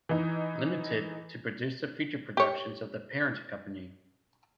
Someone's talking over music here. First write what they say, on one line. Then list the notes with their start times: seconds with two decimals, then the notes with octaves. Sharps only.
Limited, to produce the feature productions of the parent company.
0.09 E3 D#4
2.37 G4 C#5